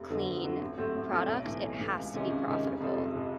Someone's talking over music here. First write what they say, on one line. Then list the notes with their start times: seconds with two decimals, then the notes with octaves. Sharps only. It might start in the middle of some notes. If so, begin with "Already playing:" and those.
clean product, it has to be profitable.
Already playing: F1
0.10 F2 D3 F#3 B3
0.28 F1
0.44 F2 D3 F#3 B3
0.61 A1
0.78 A2 F#3 A3 C4
0.95 A1
1.12 A2 F#3 A3 C4
1.28 B1
1.46 A2 E3
1.63 B1
1.79 A2 E3
1.96 C#2
2.14 C3 D#3 G#3 C#4
2.30 C#2
2.47 C3 D#3 G#3 C#4
2.63 F1
2.81 F2 C3 F3 G#3
2.98 F1
3.16 C3 F3 G#3